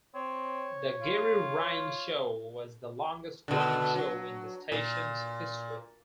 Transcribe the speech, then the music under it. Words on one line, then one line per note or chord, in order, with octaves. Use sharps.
"The Gerry Ryan Show" was the longest running show in the station's history.
C4 C#5
F4
B2 D3
F#3
A#2